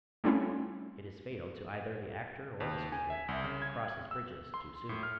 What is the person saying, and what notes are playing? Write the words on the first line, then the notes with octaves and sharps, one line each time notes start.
It is fatal to either the actor or the speaker to cross his bridges too soon.
G3 A3 C4 C#4 E4 F4
D#2
G#5
E5
C2
C#3
G#6
E6
C6
A2
F6